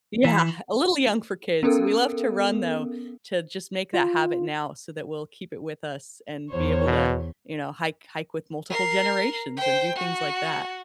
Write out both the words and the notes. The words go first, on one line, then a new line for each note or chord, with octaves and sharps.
Yeah, a little young for kids. We love to run though, to just make that habit now, so that we'll keep it with us, and be able to, you know, hike hike with multiple generations and do things like that.
E3
B3 C#4 A4 A#4
F4
E2 C5 C#5
B2
A#4 C7
C5 G5
F#4